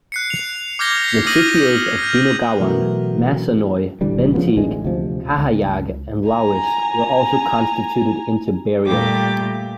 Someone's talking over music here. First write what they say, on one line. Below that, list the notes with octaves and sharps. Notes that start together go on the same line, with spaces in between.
The sitios of Binogawan, Masonoy, Bentig, Cahayag, and Lawis were also constituted into barrios.
F#6 C7 C#7
F7
D6 F6 G6 G#6 A#6 G7
B6 C7
D6 D#6 F6 A#6 D#7 F#7
F6 G6
B2 E3 F#3 A3 F#4 A#4
D#1 D3 E3 G3
C#3 F3 A#3 B3
A1 D2 G#3
D2 C3 F3
C#2
G#5 A#5
A#2 G3 A3 G4 D6